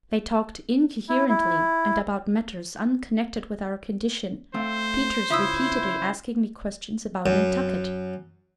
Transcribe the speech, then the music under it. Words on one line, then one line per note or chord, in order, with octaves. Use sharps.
They talked incoherently, and about matters unconnected with our condition, Peters repeatedly asking me questions about Nantucket.
E4
E4
A3 C4 C5 F5
C#3 E4 F4 E5 D#6 E6
F#2